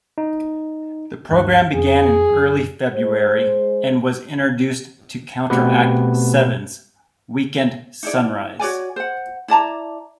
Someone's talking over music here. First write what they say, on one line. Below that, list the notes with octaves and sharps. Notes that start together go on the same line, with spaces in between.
The program began in early February, and was introduced to counteract Seven's "Weekend Sunrise".
D#4
D2 G2 F#6
F2 G#4
F#2
G#3 C5
B2 A3 B3 C4 G4 B4
D#4 E4 D5
F#4 C#5 D5 G#5
C5 F#5
E4 D5 A5 A#5